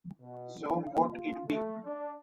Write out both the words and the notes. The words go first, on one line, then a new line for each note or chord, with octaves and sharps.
So mote it be.
B2
D3
F4
A3
D4